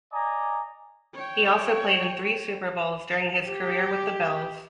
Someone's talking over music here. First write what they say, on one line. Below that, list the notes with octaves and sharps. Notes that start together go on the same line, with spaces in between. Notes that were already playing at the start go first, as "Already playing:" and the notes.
He also played in three Super Bowls during his career with the Bills.
D5 D#5 G#5 A#5
C#5 G5
G4